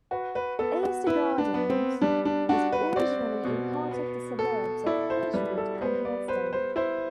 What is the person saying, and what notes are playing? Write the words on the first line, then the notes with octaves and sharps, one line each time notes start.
Eastgardens was originally a part of the suburbs of Pagewood and Hillsdale.
F#4 B4
B4
B3 A4
F#4
E4 B4
D4
B3
C4
G3 D4
D4
D4 F#4
B4
C4 D5
B2
B3
A4
E4 D5
C5
G3 B4
A4
B3 C5
D5
B4 C5
C5
E4 C5